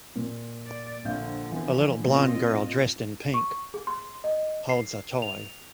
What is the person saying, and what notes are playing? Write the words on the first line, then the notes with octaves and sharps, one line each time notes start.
A little blond girl dressed in pink holds a toy.
A#2
D5
A#1 D3 F3 F5 G6
E3 B3
A#2 C4 F4 D#5
C#6
G#4
C6
D#5
C7
F7